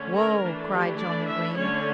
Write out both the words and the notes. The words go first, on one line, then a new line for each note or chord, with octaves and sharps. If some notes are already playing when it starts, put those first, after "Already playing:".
"Whoa!" cried Johnnie Green.
Already playing: D3 A3 C#4
A#4
E3 A3 D4
G4
D5
E5
D3 A3 C#4 C#5